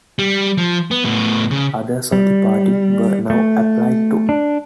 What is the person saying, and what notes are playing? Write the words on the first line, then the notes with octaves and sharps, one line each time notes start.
Others of the party were now applied to.
G3
F3
B3
A2 B3
C#3
G3
A3
D4